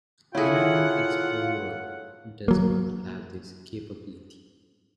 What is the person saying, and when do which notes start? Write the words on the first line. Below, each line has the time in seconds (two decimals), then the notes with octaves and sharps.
Internet Explorer does not have this capability.
0.35 E4 F4 G#4 A4 C#5 F#5
2.48 F#3 A#3